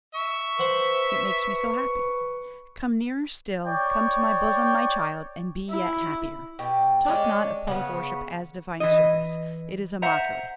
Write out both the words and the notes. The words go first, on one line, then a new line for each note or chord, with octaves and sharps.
It makes me so happy!' 'Come nearer still--come to my bosom, my child, and be yet happier.'--Talk not of public worship as divine service; it is a mockery.
E5 C#6
B4 C5 F#5
C#5 D5 G5
E4
B2 G4
G#3 C#4 D4
C#3 B3 F#5
E3 D#5
C5 E5 F#5 A#5